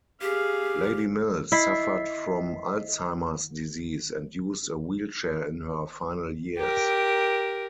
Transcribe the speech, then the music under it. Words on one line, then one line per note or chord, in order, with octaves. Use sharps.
Lady Mills suffered from Alzheimer's disease and used a wheelchair in her final years.
G4 G#4 F5
E4 D#5 B6 C7
G4 A#4